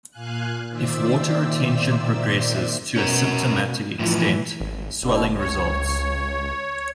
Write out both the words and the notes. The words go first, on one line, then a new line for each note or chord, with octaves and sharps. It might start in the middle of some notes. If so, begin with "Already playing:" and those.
If water retention progresses to a symptomatic extent, swelling results.
A#2 F5 G#5 F#6
A#2 D#3 C5 D5 E5 E6
B2 C#4 A#4
A2 E3 F3
G#1
F#1 B2 D3
C#2 C#5